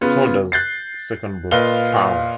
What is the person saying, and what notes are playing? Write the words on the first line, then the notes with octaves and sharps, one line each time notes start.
Korda's second book, Power!
C#3 B3 F4
F#6 G6 A6 C7
A#2 F4 B4 D#5 F5 G7